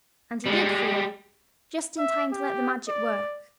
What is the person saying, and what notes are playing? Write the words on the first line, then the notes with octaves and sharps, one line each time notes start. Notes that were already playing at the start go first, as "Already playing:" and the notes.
And he did feel,--just in time to let the Magic work.
G3 G#3
E5
G4
D5